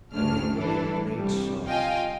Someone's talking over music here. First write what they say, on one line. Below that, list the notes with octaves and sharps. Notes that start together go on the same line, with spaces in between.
I went away in great sorrow.
G#1 D2 C#3 D4 F6
E3 G3 D4 E4 A4
C2 G3
F4 D#5 F5 G5 G#5